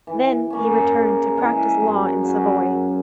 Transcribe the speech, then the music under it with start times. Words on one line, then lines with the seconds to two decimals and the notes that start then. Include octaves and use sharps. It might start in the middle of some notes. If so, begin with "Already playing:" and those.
Then he returned to practice law in Savoy.
0.07 E3
0.50 A#3 C#4
0.94 C#3
1.37 E3 G#3
1.80 F#2
2.23 C#3 F#3 C#4
2.66 F#2